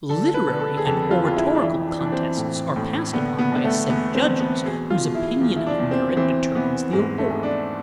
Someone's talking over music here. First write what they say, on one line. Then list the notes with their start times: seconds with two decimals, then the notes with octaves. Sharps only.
Literary and oratorical contests are passed upon by a set of judges whose opinion of merit determines the award.
0.09 D3 A4
0.34 B4
0.48 D3
0.60 A4
0.77 G#4
0.86 F2 A4
1.11 F4
1.23 F2 F4
1.37 E4
1.55 D4
1.61 E3 E4
1.87 D4
1.99 E3
2.05 D4
2.12 C4
2.37 A2
2.76 A2
3.13 D3 B3
3.39 B3
3.52 D3 B3
3.64 A3
3.89 E2 B3
4.15 C4
4.26 E2
4.40 B3
4.65 B2 G#4
4.90 F4
5.04 B2
5.15 E4
5.41 E2
5.56 E4
5.67 D4
5.79 E2
5.91 C4
6.16 E3 C4
6.55 E3 B3
6.93 G#2 G#3
7.18 A3
7.30 G#2
7.43 D4